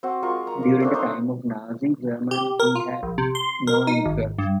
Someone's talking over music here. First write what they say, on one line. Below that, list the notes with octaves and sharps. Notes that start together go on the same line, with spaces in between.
During the time of Nazi Germany he had no influence.
C4 F#4 F#5
G#3 F4 A#4 C#6
A#5
A#3
A3 C4 D4
D4 D#4 C5 A#5
G4
A#4
F4
A#1
C3
C6
A#4
D#4
G#1
G2